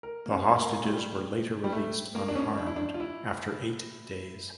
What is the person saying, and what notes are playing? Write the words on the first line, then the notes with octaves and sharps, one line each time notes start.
The hostages were later released unharmed after eight days.
A#4
A#3
C#4
A#3
A3
G3
G3
A3
A#3
D4
C#4
D4
E4
D4
F4
E4